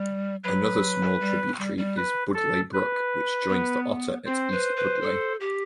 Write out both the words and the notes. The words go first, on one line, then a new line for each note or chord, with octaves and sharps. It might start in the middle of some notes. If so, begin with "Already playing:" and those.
Another small tributary is Budleigh Brook, which joins the Otter at East Budleigh.
Already playing: G3
F#3 B4
G3
G3
G3
B4
A4
B4
B3
C4 C5
B4
B4
A4
G4